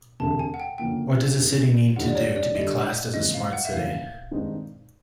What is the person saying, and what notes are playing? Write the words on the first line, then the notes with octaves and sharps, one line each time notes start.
What does a city need to do to be classed as a Smart City?
E1 D2 C3 A5
G#5
F#5
G5
D2 C#3 F3 A#3 G5
D#2 D3 G3 B3 D#4
D#2 D3 G3 A#3 D#4 F#5
D5
C#5
D5
G2 D3 G3 D#5
D#2 C#3 E3 G#3 C4 D#5
F5
F#5
E5
E1 D#2 C#3 E3 A3 F5
G2 D#3 G#3 C4 D#4